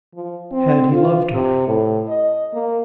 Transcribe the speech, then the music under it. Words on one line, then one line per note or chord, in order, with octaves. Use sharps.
Had he loved her?
F3
C4
F4
C3
A2
D#5
A#3